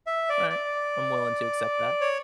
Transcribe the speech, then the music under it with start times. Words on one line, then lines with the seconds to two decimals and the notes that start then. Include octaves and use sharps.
Alright. I'm willing to accept that.
0.07 E5
0.29 D5
0.50 D5
2.01 C#5